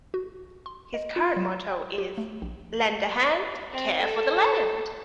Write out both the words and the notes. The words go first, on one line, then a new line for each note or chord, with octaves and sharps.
His current motto is Lend a hand - care for the land!
F#4
C6
D#5
F4
F#3
G5
G4
A3
A#1
C4
A4